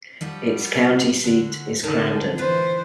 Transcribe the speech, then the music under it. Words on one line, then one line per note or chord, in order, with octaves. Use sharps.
Its county seat is Crandon.
F3 G3 F#4
D3 F#4
D3 D#4 A#4 A5
E3 F4 B4 C5